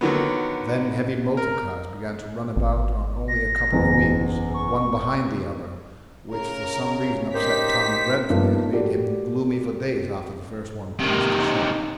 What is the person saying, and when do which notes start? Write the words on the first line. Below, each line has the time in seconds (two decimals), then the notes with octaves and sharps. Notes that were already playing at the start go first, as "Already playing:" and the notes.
Then heavy motor-cars began to run about on only a couple of wheels, one behind the other, which for some reason upset Tom dreadfully, and made him gloomy for days after the first one passed the shop...
0.01 D3 D#3 F#3 B3
1.37 A#4
2.56 G#1
3.28 A#6
3.72 F#1 E2
4.54 C#6
6.32 C#3 A#4
7.34 D#4 G4 A#4 C5 B6
8.30 G2 F3 A#3 B3 D4 D#4
8.73 F#4 G4 A4 A#4 D5
11.00 C3 D#3